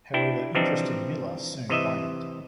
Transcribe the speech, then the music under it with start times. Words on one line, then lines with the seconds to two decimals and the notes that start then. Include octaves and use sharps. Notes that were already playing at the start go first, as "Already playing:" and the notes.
However, interest in Miller soon waned.
0.14 D4 E4 G5
0.55 E3 F3 G3 C4 D4 D#4
1.70 C3 E3 D#5 E5